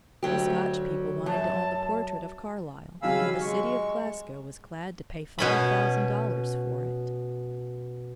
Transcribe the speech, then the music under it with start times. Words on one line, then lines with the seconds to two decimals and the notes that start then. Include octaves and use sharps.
The Scotch people wanted to own the portrait of Carlyle, and the city of Glasgow was glad to pay five thousand dollars for it.
0.23 D2 F#3 G4
1.26 F#2 A5
3.03 G#1 C#3 F#3 G4 F5 G#5 B5 E6
3.42 G#3 C#6
5.39 B2 C#4 B5